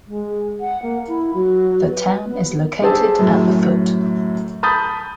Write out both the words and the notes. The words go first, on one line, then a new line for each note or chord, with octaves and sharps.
The town is located at the foot.
G#3
F#5
A#3
E4
F#3
B4
B3
G4 G#4 C5 A5 E6
F#2 A2
A5 B5 D#6 G6 A6